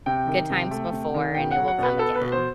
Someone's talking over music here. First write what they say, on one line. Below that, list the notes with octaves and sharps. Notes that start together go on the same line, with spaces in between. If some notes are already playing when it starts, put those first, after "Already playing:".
good times before, and it will come again.
C3 G5
D#3
C3
A3
C3
D#3
B2 G5
F#5
F#3
F#5
B2 B4
B3 A4
B4
B2
C5